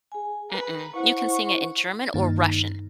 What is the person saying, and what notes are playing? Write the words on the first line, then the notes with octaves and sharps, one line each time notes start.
Mm-mm, you can sing it in German or Russian,
G#4 G#5
B4 A#5
E4 C5 F#5 C#6
G2 D#3 A#3 D#4 A6